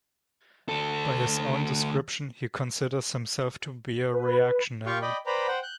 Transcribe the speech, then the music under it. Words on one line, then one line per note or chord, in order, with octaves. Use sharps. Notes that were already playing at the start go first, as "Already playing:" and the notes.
By his own description, he considers himself to be a reactionary.
D2 A4
B4
F4 G4 F5 G5 C#6
D5 D#5 G5 B5
B4 C5 D5 G5 A#5 B5
C5 F#5 G5
F#6 G6